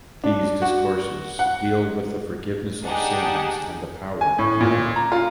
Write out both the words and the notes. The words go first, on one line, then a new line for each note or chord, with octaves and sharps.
These discourses deal with the forgiveness of sins and the power of love.
D4
F#4
F#5
D4 D#4 G4 G#4 F#5
G#5
A2
A#2
A#5
F4